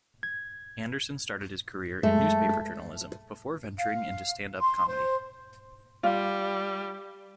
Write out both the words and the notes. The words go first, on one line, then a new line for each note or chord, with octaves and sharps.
Anderson started his career in newspaper journalism, before venturing into stand-up comedy.
G#6
F#2 G#3 A3
F5
C6
C5
G3 F4